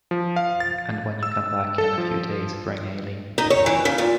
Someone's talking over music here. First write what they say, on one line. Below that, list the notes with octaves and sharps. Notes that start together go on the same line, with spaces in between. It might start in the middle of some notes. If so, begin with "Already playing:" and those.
And when you come back in a few days, bring Eileen.
F3
F5
A6
E6
A4
F3
D#4
C#5
E3
C#3
A#2